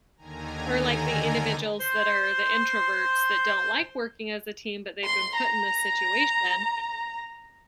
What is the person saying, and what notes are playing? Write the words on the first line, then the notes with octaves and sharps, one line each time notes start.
or like the individuals that are the introverts that don't like working as a team, but they've been put in this situation.
D#2 D3 D#3 G#5 A#5
C5 C6
C6
A#5